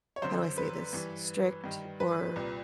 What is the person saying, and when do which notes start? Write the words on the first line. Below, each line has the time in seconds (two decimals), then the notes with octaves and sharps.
how do I say this- strict or,
0.16 C#5
0.22 F#2 D3 C5
0.58 B4
0.93 G2 E3
1.64 G2 D#3
2.00 B4
2.36 C2 A#2